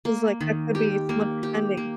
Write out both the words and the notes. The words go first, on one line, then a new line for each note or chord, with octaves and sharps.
'Cause like that could be someone pretending.
A#3
D#3
G4
A#3
G4
A#3